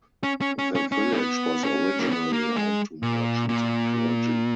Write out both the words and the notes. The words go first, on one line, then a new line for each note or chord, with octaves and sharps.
The village was originally home to merchants and clergy.
C#4
C#4
C#4
C#4
C#4
A#3
B3
C#4
A#3
B3
A#3
G#3
A#2
A#2